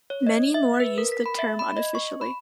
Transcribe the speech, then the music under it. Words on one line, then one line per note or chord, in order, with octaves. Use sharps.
Many more use the term unofficially.
C#5
D#5
E5
B4
A#4
B6
B5
E5
B5
D#5
C#6
B5